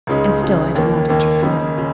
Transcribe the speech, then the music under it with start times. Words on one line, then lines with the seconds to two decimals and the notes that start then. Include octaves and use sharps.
And still I did not interfere.
0.07 C#2 C#3 G#3 D#4
0.41 C#2 C#3 G#3 D#4
0.75 D#2 D#3 A#3
1.09 D#2 D#3 A#3
1.43 D#2 C#3 A#3 D#4
1.78 C#3